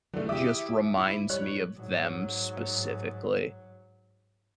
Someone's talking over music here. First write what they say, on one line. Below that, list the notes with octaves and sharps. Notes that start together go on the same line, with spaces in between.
just reminds me of them specifically
D3 E3 F#3 G#3 A3
E4 G4 E5 D6 D#6
E4
G3 C#5 F#6
G#2 F#3